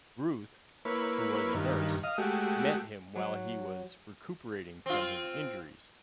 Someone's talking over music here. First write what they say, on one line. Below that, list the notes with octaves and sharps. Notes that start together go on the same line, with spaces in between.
Ruth, who was a nurse, met him while he was recuperating from his injuries.
A#3 E4 B4 C#5
G2 D#3
D#5 F5
G#3 A3 F#4 G4
F#3
C4 F4